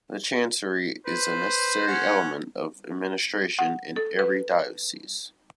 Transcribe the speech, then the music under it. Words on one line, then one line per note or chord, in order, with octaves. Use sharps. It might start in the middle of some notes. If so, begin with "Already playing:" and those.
The chancery is a necessary element of administration in every diocese.
B4 C5
C#4 F#5
F#5
A4
B4